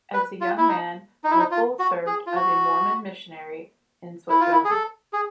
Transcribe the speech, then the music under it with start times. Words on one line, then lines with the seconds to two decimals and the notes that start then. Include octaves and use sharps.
As a young man, Whipple served as a Mormon missionary in Switzerland.
0.13 B4
0.41 F4
0.57 E4
0.68 D#4
1.24 D#4
1.31 E4
1.39 D#4
1.51 F4
1.79 F#4
2.07 G#4
2.27 F4
2.35 F#4
4.29 E4
4.40 F4
4.52 E4
4.65 G#4
4.71 A4
5.13 G#4